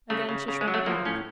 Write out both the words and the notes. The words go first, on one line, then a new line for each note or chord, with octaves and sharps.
Again she shrank back.
C#3 A3
C#3
C#3
G#3
F#3
A3
F3 A#3
A2 C#4